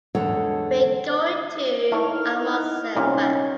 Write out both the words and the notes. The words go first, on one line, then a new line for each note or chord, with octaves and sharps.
We’re going to Almussafes.
E2 D3 G#3 A4 C#5 F#5
A3 D#4 E4 C#5 F6
C2 A#2 C#4 D#4